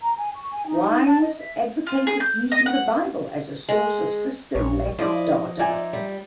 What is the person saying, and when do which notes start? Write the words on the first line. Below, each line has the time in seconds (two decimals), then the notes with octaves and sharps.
Wise advocated using the Bible as a source of systematic data.
0.01 A#5
0.16 G#5
0.34 C#6
0.51 G#5
0.67 D#4
0.89 D#4
1.07 A5
1.21 D#5
1.37 E5
1.87 F4
2.07 G#4
2.20 G6
2.52 D#5
2.66 F#5
3.69 G#3
4.55 A#1 C#5
4.99 F3 E4 D5 D#5
5.59 D#4 F4 D5 E5 G#5
5.93 G3